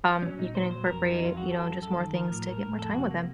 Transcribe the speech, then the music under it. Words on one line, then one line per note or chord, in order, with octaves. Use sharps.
um, you can incorporate, you know, just more things to get more time with them.
F#3 C#4
A#2 D#4
A#2 C5
F#3 C5
F2 A#4
F#3
D#4
F2
F4
F#3 F#4
F#3 A4
F#2
F#2 A4
D#3
F3 A#4
A2
A2 A#4
A2
F2 A4
C3 F#4
A#3